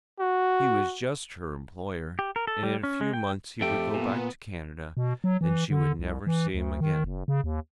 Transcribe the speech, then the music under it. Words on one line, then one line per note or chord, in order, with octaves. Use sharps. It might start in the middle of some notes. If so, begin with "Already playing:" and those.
He was just her employer, and in a few months he would go back to Canada, and she would never see him again.
F#4
G4
A#4
A4
G3
C#4
G#3
G5
F2 A3 G4 G5
A#2 B3
B2
F#3
E3
D3
C2
E3
D2
D#3
F#1
C#3
D#2